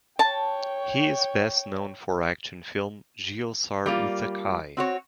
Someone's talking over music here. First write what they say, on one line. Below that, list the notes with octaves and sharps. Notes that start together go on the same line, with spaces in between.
He is best known for action film Geo Sar Utha Kay.
C#5 G5 A5
G3 A#3 F4
C4 F#4 C#5